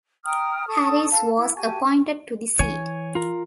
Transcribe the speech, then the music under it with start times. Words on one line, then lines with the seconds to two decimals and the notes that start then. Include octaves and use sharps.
Harris was appointed to the seat.
0.25 G5 A#5 D#6 F6
0.67 A4 C#6 D#6
1.11 A4 F5 A5
1.37 E4
1.56 F#4 G4 G#5 A5
2.59 E3 C#5 G#5
3.15 F4 A#4